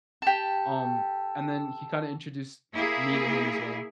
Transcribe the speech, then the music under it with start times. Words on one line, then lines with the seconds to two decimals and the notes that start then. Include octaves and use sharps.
um, and then he kinda introduced me to him as well.
0.22 G4 A4
2.74 A#3 E4 G#4